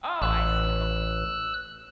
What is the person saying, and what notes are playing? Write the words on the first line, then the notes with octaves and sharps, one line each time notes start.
oh, I see, okay.
A1 E6 F#6